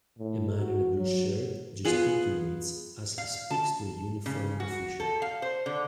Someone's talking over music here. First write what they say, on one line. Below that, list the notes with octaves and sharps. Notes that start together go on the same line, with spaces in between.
A man in a blue shirt gesticulates as he speaks to a uniformed official.
A2
F#4
F#3
B3 F4 G#4 F#5
F5
A5
C#3
F#4
A4
F5
C5
D3